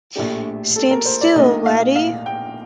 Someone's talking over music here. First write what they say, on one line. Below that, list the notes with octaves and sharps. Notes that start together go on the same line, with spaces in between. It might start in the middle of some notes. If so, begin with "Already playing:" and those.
Stand still, laddie!
A#1 A2 A3 D4 G4
A4
A#4
C5
D5
A#1 A#2 A3 D#4 D#5
F5
F5
G5